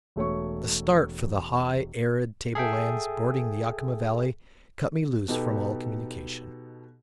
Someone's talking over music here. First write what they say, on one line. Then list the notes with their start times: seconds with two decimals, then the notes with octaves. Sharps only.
The start for the high, arid table-lands bordering the Yakima valley cut me loose from all communication.
0.16 E1 A3 C#5 C#6
2.55 G#4 A4 E5 G5
5.28 B2 B3 D#4 G4 A4